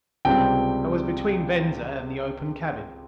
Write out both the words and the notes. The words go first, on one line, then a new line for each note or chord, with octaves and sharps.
I was between Venza and the open cabin.
C#2 C3 G3 C4 G5